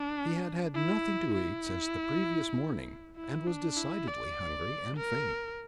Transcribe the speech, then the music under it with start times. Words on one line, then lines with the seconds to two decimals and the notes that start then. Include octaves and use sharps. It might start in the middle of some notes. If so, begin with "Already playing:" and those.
He had had nothing to eat since the previous morning, and was decidedly hungry and faint.
Already playing: D4
0.74 E4
1.34 E4
3.17 E4
3.47 D4
3.77 E4
4.08 D5
4.98 A#4